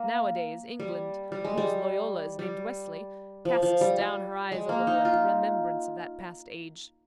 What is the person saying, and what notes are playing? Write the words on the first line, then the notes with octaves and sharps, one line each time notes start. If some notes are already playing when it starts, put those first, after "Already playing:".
Nowadays England, whose Loyola is named Wesley, casts down her eyes a little at the remembrance of that past age.
Already playing: A#3
G3
G3
G#3
G3
G3
F3
F3
G3
G3
G#3
A#3
D#4
F4